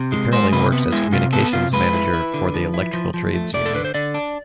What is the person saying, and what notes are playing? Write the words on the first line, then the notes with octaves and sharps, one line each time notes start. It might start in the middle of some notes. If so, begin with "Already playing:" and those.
He currently works as communications manager for the Electrical Trades Union.
Already playing: C3
G#3
G#3 C5
C3 B4
B3
G#3 E4
C3 F4
B3 A4
C3 F4
G#3 B4
E4
E4
D3
F3
E4
F3
F3
A3
A3 D5
A4
D3 B4
C5
D3 D5
D4